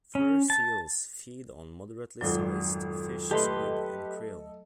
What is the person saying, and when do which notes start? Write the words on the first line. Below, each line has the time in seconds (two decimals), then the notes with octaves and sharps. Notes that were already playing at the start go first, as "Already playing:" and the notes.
Fur seals feed on moderately sized fish, squid, and krill.
0.15 C#4
0.50 A5
2.21 G#1 F2 F#3
3.31 A3 G4 A4 B4 D#5 C6